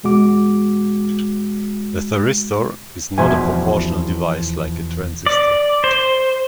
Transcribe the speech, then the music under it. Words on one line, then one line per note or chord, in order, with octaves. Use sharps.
A thyristor is not a proportional device like a transistor.
E2 B2 G#3 F#4 D6
E2 B2 F3 E5 G#5
D5
C5